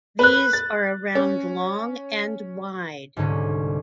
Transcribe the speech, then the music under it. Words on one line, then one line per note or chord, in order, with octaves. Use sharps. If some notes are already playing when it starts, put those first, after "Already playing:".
These are around long and wide.
B4 F#6
A6
C#4
C2 G#2 D3 C#4